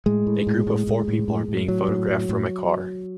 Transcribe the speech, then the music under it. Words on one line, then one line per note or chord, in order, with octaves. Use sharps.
A group of four people are being photographed from a car.
A2 G#3
A2
A2
A2
A2
A2
A2
A2
A2 F#3
A2
A2
A2